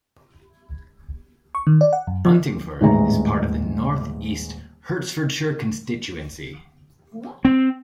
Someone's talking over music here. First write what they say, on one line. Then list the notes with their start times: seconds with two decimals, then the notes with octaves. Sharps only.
Buntingford is part of the North East Hertfordshire constituency.
1.55 C#6
1.67 D#3
1.81 D5
1.93 F#5
2.07 F#2
2.25 F3
2.80 D#1 A1 G#2 E3 G#3 A#5
7.45 C4